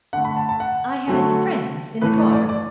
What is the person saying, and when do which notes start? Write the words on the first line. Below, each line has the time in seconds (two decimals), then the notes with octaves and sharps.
"I had friends in the car."
0.13 D3 A3 F#5
0.25 B5
0.37 A5
0.49 A5
0.60 F#5
1.07 D3 F#3 A3
2.01 A2 E3 A3 B4
2.18 D5
2.33 D5
2.49 D5